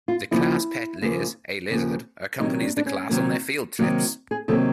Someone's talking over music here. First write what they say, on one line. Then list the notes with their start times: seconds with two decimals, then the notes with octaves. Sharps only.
The class pet Liz, a lizard, accompanies the class on their field trips.
0.08 F4
0.31 D#2 C#3 F3 A#3 E4
1.01 D#2 C#3 F3 A#3
1.70 D#2 C#3 F3 A#3
2.40 C3 D#3 F#3 A#3 D#4
2.62 D4
2.77 D4
2.86 C#4
3.09 C3 D#3 F#3 A#3
3.79 C3 D#3 F#3 A#3 F#4
4.31 G#4
4.48 C3 D#3 F#3 A#3 A4